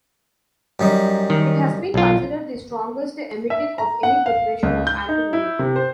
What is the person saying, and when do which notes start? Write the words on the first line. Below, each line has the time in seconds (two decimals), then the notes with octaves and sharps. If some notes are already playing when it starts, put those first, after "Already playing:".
It has been considered the strongest emetic of any preparation of antimony.
0.80 F#2 G3 D#4
1.30 D#3
1.94 B1 F4
3.50 E5
3.78 A#5
4.03 F#5
4.26 F5
4.63 C#2
4.87 G6
5.08 D#4
5.33 E4
5.59 C3
5.76 C5